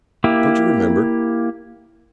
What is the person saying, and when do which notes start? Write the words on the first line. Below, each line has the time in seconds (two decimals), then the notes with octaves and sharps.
'Don't you remember?
0.24 A#3 E4 G4